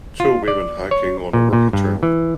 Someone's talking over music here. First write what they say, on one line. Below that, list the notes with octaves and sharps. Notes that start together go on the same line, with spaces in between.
Two women hiking on a rocky trail.
F4
D5
C#5
A#2
A#2
G2
E3